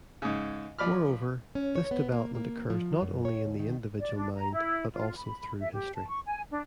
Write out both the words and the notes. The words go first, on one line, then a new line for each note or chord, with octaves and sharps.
Moreover, this development occurs not only in the individual mind, but also through history.
G#2 C#3
F3 D5 B5 F6
C#4
C#5
B3
A#3
A#3
F3
F#2
C#5
D2
D#3
D5
D4
A#5
E4
F4
B5
E5
G4
A5
C#6
G#5
D4